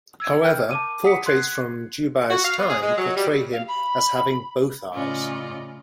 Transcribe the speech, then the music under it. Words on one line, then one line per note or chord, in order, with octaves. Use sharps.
However, portraits from Jubei's time portray him as having both eyes.
E6 G#6
A#4 G5 F6 G6
A5 D6 D#7
F#5 D#6 B6 C#7
C6 F#6 G#6 C7
F#4
F5
B3
G#4
G#3
F#3
G3
F5
B5
A2 C#3 C#4 F4 D5 D#5